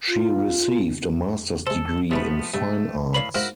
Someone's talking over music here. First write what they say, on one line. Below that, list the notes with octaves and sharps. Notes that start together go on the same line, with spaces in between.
She received a master's degree in fine arts.
F4
G#3 A4 C5
C3 F3 G#3 A3 B3 B4
G2 A3
A2 B4 C#5 D5 F5 B5
G#2 E4 F#4 A#4 C5 F5